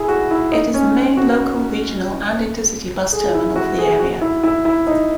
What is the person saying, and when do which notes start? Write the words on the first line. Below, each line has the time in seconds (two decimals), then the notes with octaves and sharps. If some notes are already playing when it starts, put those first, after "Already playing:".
It is the main local, regional and intercity bus terminal for the area.
Already playing: E4 G#4
0.08 F#4
0.31 E4
0.52 D#4
0.74 C#4
1.17 F#4
3.13 G#4
3.34 E4
3.56 F#4
3.78 G#4
3.99 F#4
4.21 E4
4.43 E4
4.65 E4
4.87 D#4